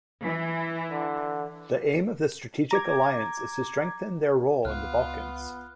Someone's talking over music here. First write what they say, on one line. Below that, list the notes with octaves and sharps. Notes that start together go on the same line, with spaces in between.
The aim of this strategic alliance is to strengthen their role in the Balkans.
E3
D3
A#5 D6 G#6
C#2 B3 F4 F6 F#6